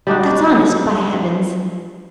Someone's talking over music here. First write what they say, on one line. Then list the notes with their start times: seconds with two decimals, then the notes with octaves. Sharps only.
That's honest, by heavens!
0.07 G3 D4 D#4 F#4